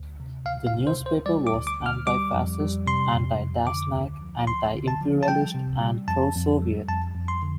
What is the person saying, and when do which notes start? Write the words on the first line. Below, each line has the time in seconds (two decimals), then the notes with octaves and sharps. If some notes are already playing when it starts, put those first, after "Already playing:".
The newspaper was anti-fascist, anti-Dashnak, anti-imperialist and pro-Soviet.
Already playing: D2
0.20 C3
0.46 D2 F5
0.67 F5
0.73 C3
0.87 C5
1.00 D2
1.06 C5
1.26 G3 D5
1.47 D6
1.53 D2
1.67 D6
1.80 D2
1.86 F6
2.07 G3 D6
2.34 F2
2.60 G3
2.87 C3 C6
3.14 F2
3.40 F2
3.67 D3 D6
3.93 D2
4.21 F3
4.47 D2 C6
4.74 D3
4.88 A5
5.01 F3
5.23 A5
5.28 G3 G5
5.54 C3
5.81 G3
6.08 F2 A5
6.35 F2
6.62 G3
6.88 F2 A5
7.15 F2
7.28 C6
7.43 D3